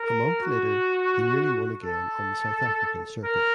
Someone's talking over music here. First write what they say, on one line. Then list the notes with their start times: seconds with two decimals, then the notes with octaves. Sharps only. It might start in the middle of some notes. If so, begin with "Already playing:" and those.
A month later he nearly won again on the South African circuit.
Already playing: A#4
0.41 F#4
1.83 A4
3.24 A#4